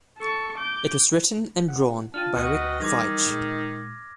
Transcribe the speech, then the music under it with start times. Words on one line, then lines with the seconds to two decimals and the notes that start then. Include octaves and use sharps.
It was written and drawn by Rick Veitch.
0.18 A4 C#6
0.57 D6 G6
1.68 F#5
2.14 D4 F4 G5 A5 F6 D#7
2.36 D2 F#4 B4 D#5 F#5 G5
2.80 D#3 E3 G3 G#4 D6 G#6 A#6
3.26 A#2 G#3